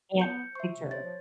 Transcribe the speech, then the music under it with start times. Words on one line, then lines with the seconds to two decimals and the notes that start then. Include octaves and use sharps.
can't picture it.
0.20 B3 G6 C#7
0.55 C5 E5 C#6
0.76 C3
0.91 C5 C#5 A6
1.04 F3